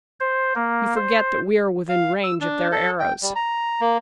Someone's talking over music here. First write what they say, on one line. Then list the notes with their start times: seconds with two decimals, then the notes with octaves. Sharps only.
"You forget that we are within range of their arrows."
0.20 C5
0.55 A#3
0.96 C5
1.89 F5
2.24 E6
2.41 D4
2.72 A4
3.00 G5
3.22 G3
3.36 A#5
3.81 A#3